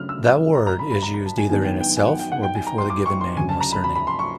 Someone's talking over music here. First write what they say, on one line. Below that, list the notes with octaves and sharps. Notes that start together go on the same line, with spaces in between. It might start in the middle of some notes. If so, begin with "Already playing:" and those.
That word is used either in itself or before the given name or surname.
Already playing: C#3 F#3 A3 D4 F6
E6
A#5
A#5
B5
B5
A#5
A#5
A5
G#5
G#2 D#3 F#3 B3 D4 G#5
G5
G5
G#5
F#5
G5
F#5
G5
G#5
A#5
C6
D6
C#6
C6
D2 C#3 F#3 G#5
A5
A#5
B5
B5
B5
C6
C#6